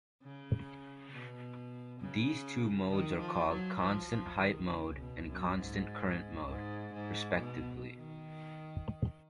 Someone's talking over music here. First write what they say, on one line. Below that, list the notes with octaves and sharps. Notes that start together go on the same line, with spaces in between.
These two modes are called constant height mode and constant current mode, respectively.
C#3
B2
C#3
D#3
F3
F#3
F3
F3
D#3
C#3
B2
F#2
G#2
G#2
G#2
B2
D#3